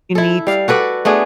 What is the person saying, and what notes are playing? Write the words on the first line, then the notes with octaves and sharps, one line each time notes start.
you need t"
E4 A4
G3 F5
F#4 A4 B4 D5
A3 B3 D4 G#4